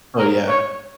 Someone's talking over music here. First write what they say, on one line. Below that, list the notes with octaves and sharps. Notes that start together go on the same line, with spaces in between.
Oh, yeah.
A#4
C#5